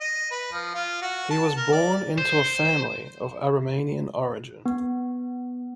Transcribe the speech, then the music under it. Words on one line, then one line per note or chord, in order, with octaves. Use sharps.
He was born into a family of Aromanian origin.
D#5
B4
F3
F4
F#4
A5
A#4
D5
C5
B3